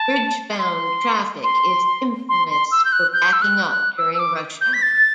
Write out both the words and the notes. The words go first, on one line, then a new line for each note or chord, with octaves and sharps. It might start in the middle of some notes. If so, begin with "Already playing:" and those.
Bridge-bound traffic is infamous for backing up during rush hour.
Already playing: A5
C6
C6
C6
C6
E6
G6
F#6
G6
E6
F#6
F#6
E6
E6
D6
G6
B6
A6